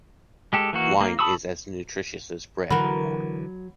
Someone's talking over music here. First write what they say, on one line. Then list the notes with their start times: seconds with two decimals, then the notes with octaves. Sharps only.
Wine is as nutritious as bread, or more.
0.53 G#3 G4 A4
0.73 E3 A#3 F#4
1.01 A#3
1.19 A5 B5 C#6 D#6 E6
2.70 D3 E3 F#3 F#4 A#4 B5